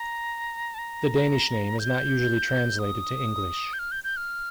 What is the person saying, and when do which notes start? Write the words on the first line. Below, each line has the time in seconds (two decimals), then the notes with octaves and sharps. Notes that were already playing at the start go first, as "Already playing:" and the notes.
The Danish name is not usually translated to English.
Already playing: A#5
0.74 A5
0.78 A#5
1.79 G6
2.79 D#6
3.73 G6
3.79 F6
3.92 G6
4.04 G6
4.17 F6